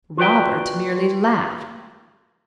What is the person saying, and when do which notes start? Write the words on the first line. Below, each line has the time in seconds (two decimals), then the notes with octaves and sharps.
Robert merely laughed.
0.17 F4 F#4 B4 D5 G5